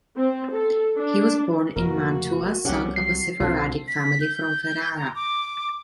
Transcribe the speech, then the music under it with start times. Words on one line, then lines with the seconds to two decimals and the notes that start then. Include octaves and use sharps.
He was born in Mantua, son of a Sephardic family from Ferrara.
0.18 C4
0.53 A4
0.96 D4
1.76 F1 A#3 F#4 A#4
2.65 C2 C3 C#4 G4 F#5
2.96 F#3 C7
3.40 C2 B2 C4 D4 F4 A4
3.88 B6
4.21 G6
4.97 A#5
5.15 D6